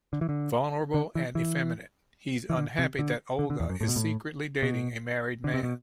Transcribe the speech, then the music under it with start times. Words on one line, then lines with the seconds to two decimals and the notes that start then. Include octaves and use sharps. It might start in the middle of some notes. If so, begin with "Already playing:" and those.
Vulnerable and effeminate, he's unhappy that Olga is secretly dating a married man.
0.13 D3
0.21 E3
0.29 D3
0.94 D3
1.15 E3
1.35 E3
2.50 E3
2.58 D3
2.79 C3
2.99 D3
3.39 D3
3.50 D3
3.60 E2
3.70 F#2
3.81 A2
3.88 B2
3.96 A2
4.62 B2
5.44 D3
5.54 C3
5.63 B2